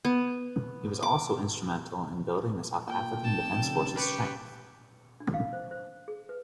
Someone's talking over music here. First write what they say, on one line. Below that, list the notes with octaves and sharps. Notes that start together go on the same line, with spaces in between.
He was also instrumental in building the South African Defence Force's strength.
B3
D6
A#2 G5
F1 A5
C#3 G3 A4
G4 B4 C#6
D4
F5
C5
C5
G#4
B4